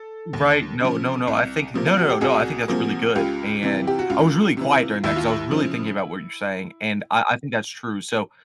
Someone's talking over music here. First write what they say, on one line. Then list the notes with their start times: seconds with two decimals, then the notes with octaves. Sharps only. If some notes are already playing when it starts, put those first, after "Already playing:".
right, no, no, no, I think, no, no, no, no, I think that's really good, and I was really quiet during that 'cause I was really thinking about what you're saying, and I I think that's true, so,
Already playing: A4
0.33 D#2
0.80 C#3 F3
1.27 C2
1.74 C3 F3 A#3
1.86 F4
1.97 F#4
2.10 G4
2.21 C2 F#4 G#4
2.68 C3 F3 A#3
3.16 C#2 F4 G4
3.63 C3 E3
3.87 G4
3.99 F#4
4.10 C#2 F4
4.57 C3 E3
5.04 D#2 E4
5.16 F4
5.28 E4
5.51 C#3 F3